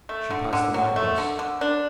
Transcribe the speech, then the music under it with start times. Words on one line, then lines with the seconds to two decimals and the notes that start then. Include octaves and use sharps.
She passed the night thus.
0.09 A3
0.31 D3
0.53 D3
0.74 F#3
0.96 A3
1.18 D3
1.39 D3
1.61 D4